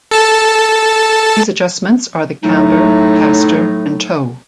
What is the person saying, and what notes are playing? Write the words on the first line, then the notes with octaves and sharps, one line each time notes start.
These adjustments are the camber, caster and toe.
A4 A5
A2 F#3 A3 D#4